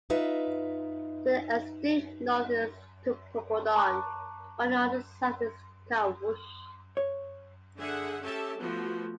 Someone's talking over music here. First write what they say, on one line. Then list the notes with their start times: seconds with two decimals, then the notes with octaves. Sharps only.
To the extreme north is Tupopodon, while on the South is Ghawush.
0.10 D#4 F4 B4 E5
3.75 A5 A#5 C#6 D6 F#6
6.97 C#5
7.77 D3 G#4 E5 F#5
8.23 C#4 G4 A4 E5 A5
8.60 F3 A3 B3 F#4